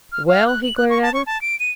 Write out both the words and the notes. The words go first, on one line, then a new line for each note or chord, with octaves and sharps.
"Well?" he glared at her.
F6
F5
F#6
F#7
F#6
C#6
A5
C#6
A5
D7
D#7